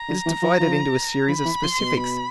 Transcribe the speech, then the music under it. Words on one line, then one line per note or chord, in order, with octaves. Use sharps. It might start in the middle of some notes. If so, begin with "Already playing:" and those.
It is divided into a series of specifics.
Already playing: A#5
D3
E3
F3
F3
F3 B5
E3
F3 C6
B2
B5